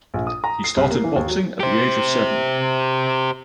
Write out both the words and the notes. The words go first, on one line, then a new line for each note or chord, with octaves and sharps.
He started boxing at the age of seven.
A#1
D#6
A#5
C7
C2
A#3
E3
D#2
F#3
G4 C5